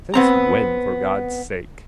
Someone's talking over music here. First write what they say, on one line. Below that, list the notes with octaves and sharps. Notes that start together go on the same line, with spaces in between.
Since when, for God' sake?
B3 C4 A#5